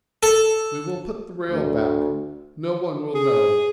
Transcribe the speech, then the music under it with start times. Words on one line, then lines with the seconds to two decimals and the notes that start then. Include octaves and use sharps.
We will put the rail back; no one will know.
0.23 A4
1.50 D2
3.15 G#4